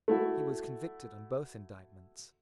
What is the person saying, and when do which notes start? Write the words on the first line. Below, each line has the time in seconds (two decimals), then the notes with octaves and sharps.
He was convicted on both indictments.
0.08 A3 E4 F#4